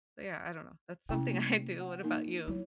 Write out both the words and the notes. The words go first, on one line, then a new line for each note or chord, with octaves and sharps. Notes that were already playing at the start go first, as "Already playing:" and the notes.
but, yeah, I don't know. That's something I do. What about you?
C3 C#4 E4 G5
A3 A#3
F#5
A#3 D#4 A#4
F#3 B3 E4 C#5